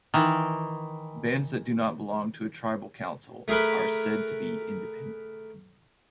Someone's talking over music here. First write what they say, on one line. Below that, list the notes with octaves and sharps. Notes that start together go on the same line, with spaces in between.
Bands that do not belong to a tribal council are said to be "independent".
D#3 E3
A3 G#4 A#4 B4